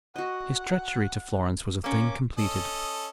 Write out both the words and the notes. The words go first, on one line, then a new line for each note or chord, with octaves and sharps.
His treachery to Florence was a thing completed.
F#4 D#5 F#5
A#3 C#4 D6
C#4 A4 D#5